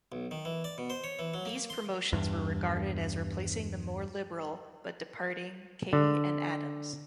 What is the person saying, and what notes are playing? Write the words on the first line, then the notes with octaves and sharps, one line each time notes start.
These promotions were regarded as replacing the more liberal but departing Kaye and Adams.
B1
D#3
E3
D5
B2
C5
C#5
E3
F#3
A#3
C6
E2 G2
D3